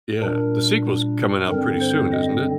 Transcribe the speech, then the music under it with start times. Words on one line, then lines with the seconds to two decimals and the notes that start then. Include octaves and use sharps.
yeah. The sequel's coming out pretty soon, isn't it?
0.20 A#2 G3 D4 A#4
1.48 G2 D3 G3 C4 A#4
1.80 C5
2.12 D#5